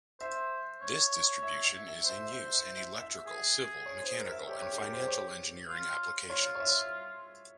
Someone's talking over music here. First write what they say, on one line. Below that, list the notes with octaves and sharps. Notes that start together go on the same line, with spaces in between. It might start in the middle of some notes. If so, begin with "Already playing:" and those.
This distribution is in use in electrical, civil, mechanical, and financial engineering applications.
C5 E5
C#5
E5
E5
E5
C5
E5
E5
E5
E5
E5
G#4
C#5
C5
A#4
E5
G4 C#5
C#5
G#4
A#4
C5
C5
C#5
F4
F4 C#5
C#5
E5